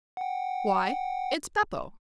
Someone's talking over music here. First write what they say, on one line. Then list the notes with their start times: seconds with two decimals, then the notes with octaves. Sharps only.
Why, it's Beppo.
0.17 F#5 G5